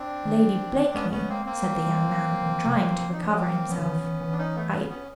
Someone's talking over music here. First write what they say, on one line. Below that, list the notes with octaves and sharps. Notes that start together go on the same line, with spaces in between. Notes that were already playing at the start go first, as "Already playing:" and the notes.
"Lady Blakeney," said the young man, trying to recover himself, "I . . ."
Already playing: C4 D4
D#3
C4
G#3 B3 C#4
B3 C#4
A#3 C4
A#3 C4
G3
G3
F#3
F#3
E3
F3
C3
G3
F#3
F3
D#4
D4
F3 C#4
A#3 C4
F#3
F3 B3 C#4
D#3
E3
E3
E3
D4
C#4 D#4
A3 B3
B3 C#4
B3 C#4